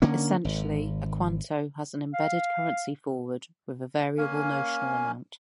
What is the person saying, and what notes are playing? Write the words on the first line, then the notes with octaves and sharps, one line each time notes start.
Essentially, a quanto has an embedded currency forward with a variable notional amount.
D3 A#3 C#4
G#1
F5
A#3 C#4 F5 G#5